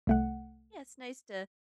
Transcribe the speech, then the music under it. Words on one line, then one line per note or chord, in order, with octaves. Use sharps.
Yeah, it's nice to
C2 A3 F#5